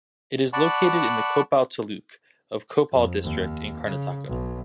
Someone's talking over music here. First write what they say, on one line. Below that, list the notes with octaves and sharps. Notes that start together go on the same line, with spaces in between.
It is located in the Koppal taluk of Koppal district in Karnataka.
D5 F#5 A5 B5 C#6
F2
D#2
C#3
B1